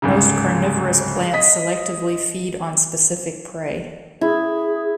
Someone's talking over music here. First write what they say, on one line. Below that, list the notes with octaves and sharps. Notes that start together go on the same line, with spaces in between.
Most carnivorous plants selectively feed on specific prey.
D1 G#2 C#3
D#5 B6
E4 G#4